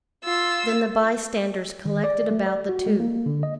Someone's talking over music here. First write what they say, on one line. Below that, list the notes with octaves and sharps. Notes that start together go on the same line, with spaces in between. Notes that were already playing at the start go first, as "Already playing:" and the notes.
Then the bystanders collected about the two.
F4 E6
D#3
D5
A3
D5
F#4
G#3
A#3
D3
D#5